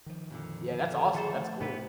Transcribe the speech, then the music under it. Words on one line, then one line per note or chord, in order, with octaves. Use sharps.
Yeah, that's awesome. That's cool.
D#3 F3
F2 A#2 D3
A4
E3 G#4 A4 C5
A3 C5
A2 C3 E3 B3 C4 G4 B4